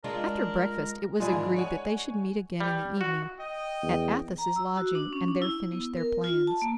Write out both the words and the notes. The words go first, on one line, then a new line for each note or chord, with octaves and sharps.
After breakfast, it was agreed that they should meet again in the evening at Athos's lodging, and there finish their plans.
G#3 D4 F4 A#4
G#3 D4 E4 F4 G#5
G#2 D#3 F4
C#5 F#5 G#5
G3
F#4
D#5 G5
E2
A#5
E6
F#4
D4
C#4
D4
E4
B3
A#4
F4
A5
A#3